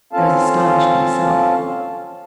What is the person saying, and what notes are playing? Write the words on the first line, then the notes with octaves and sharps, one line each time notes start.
I was astonished myself.
C4 C#4 F4 A4 F5 A5